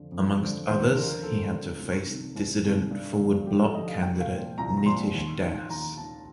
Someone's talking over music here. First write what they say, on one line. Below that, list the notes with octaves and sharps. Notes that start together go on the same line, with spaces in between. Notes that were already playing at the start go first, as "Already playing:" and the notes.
Amongst others, he had to face dissident Forward Bloc candidate Nitish Das.
Already playing: F2 D3 F3
F2
D3 F3
D#2 C5
D3 F3 A#4
D#2 A4
D3 F3
C2
C3 D#3
C2
C3 D#3
G2
D3 F3
G2 G4
A4
D3 F3 D#5
F5
C2 G5
F5
A#2 F3
C2 A#5
A#5
A#2 F3 C6
D#2
D#3
D#2 A#5
D#3 A5